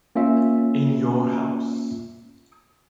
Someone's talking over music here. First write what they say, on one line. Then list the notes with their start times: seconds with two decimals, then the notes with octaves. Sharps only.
In your house.
0.16 A#3 C#4 F4 E5